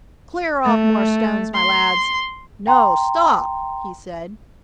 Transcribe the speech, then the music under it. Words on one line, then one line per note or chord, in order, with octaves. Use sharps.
"Clear off more stones, my lads. No; stop!" he said.
A3
C6
G5 A#5 C6